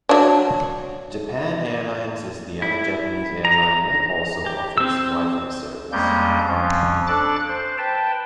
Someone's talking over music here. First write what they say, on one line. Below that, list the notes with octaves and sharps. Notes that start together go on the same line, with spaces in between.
Japan Airlines is the other Japanese airline that also offers wi-fi service.
F#3 D4
E4
A#5
G4
C4 E6
F2 G3 G#3 A#3 C#4 G6
F2 F3 C#4
D4 A4 D6 F#6 A6
C5
B4 G5 A5